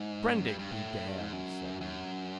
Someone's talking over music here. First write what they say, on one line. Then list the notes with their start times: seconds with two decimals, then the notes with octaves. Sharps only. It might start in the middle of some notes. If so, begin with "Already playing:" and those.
"Prendick be damned!" said he.
Already playing: G#2
0.35 F#2
0.47 G2
0.59 G2
0.71 A2
1.08 G2
1.20 G#2
1.33 F#2
1.81 F#2